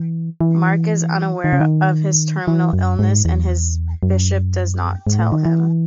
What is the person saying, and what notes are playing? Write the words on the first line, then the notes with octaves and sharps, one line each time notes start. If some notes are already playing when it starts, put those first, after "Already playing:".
Mark is unaware of his terminal illness and his bishop does not tell him.
Already playing: E3
E3
D#3
C#3
D#3
E3
F#2
G#2
E2
F#2
G#2
A2
D#3
E3